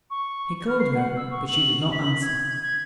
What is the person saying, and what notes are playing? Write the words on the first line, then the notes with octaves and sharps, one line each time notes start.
He called her, but she did not answer.
C#6
F6
C7
F#5
E6
C#6
F#7
B6
G#6
G#6